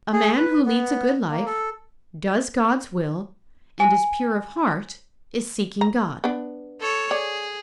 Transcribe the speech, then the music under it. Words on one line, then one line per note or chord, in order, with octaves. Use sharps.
A man who leads a good life, does God's will, and is pure of heart, is seeking God.
G#4
B4
B3
A#3
A4
G#5
A#5
B3 D4
A4 C#5
G#4 C#5 D5